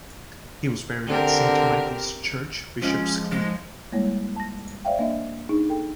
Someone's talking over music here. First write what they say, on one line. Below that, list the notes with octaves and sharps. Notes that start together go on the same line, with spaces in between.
He was buried at Saint Michaels church Bishops Cleeve.
D3 C4 G4 A#4
F3 G#3 C#4
F3 G#3
G3 G#3 A#3 E4 C#5
A5 A#6
C5 D5 E5 F5 G5
A#3 D4 D#5 E5
D4 D#4 G#4
A4 G5